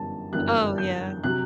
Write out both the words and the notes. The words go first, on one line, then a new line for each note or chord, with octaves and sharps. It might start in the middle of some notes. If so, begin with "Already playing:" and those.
Oh yeah.
Already playing: G1 F#2 E3 G3 A5
G1 F#2 E3 G3 F#6
G6
C3 F#3 F#6